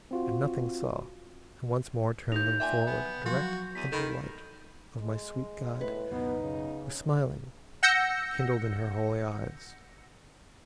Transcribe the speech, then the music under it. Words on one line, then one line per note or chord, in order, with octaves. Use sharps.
And nothing saw, and once more turned them forward Direct into the light of my sweet Guide, Who smiling kindled in her holy eyes.
C4 F4 F#4
D#2 D#4 G6 F7
A#2 E5 G5 G#5
B3
F3 F#3 F#4
E2 B6 D#7
D#3 A4 B5
G#3
A2 B4
C#2 F#2 B2 B3 D#4
C#3
F#5 E6 G6 A#6 C#7